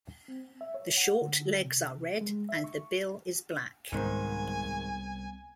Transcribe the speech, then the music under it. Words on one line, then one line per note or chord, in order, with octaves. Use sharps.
The short legs are red and the bill is black.
C4
E5
C#5
F#5
D3
C3
G#3
E5
C#6
C2 G#2 D#3 B3 C5 G#5